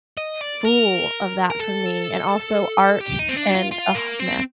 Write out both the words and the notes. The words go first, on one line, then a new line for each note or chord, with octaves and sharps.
full of that for me, and also art, and, oh, man,
D#5
D5
A#4
A#4
A4
G4
D#4
C4
D4
F4
F4
A#3
C4